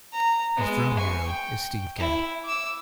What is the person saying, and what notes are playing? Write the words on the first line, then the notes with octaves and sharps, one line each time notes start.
His drum hero is Steve Gadd.
A#5
G#3 B3
G#5 C#6
G5
E4
D6 E6